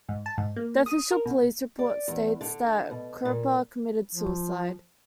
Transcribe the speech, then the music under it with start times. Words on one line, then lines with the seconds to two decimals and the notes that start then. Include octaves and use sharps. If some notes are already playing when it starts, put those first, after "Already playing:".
The official police report states that Kirpa committed suicide.
0.09 G#2
0.26 A5
0.38 G#2
0.56 A#3
0.86 D#6
1.11 A#4
1.26 B2
1.79 D5
2.08 E2
2.41 D3
2.91 B2
3.25 A#2
4.13 F3